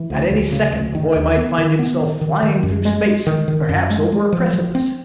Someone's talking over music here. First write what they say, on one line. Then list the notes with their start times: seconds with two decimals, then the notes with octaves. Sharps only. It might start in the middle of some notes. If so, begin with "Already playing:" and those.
At any second the boy might find himself flying through space--perhaps over a precipice.
Already playing: E3
0.10 D2
0.31 D2
0.52 C#3
0.73 D2
0.95 D#3
1.16 D#2
1.37 B3
1.58 D#3
1.79 B3
2.01 D#3
2.21 D#3
2.43 D#3
2.63 F#2
2.85 G#3
3.06 G#3
3.27 D#3
3.48 D#3
3.69 F#2
3.90 G#3
4.12 G#3
4.32 F3
4.53 F3
4.75 C4